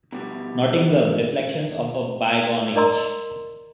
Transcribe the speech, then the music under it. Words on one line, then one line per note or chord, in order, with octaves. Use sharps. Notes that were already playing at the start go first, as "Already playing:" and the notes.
Nottingham: Reflections of a Bygone Age.
B2 F3 G3
A#4 D5 D#5 A#5 C6 E6